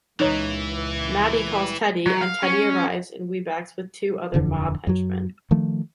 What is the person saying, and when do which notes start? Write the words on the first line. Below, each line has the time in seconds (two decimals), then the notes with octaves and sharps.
Matty calls Teddy and Teddy arrives in Wibaux with two other mob henchmen.
0.20 C#2 A#2 E3 D#4 B4 C#5
2.06 F#3
2.21 F5
2.43 C#4
4.34 D#1 F2 D3 E3
4.87 F#2 F#3
5.51 D#3 F3 A3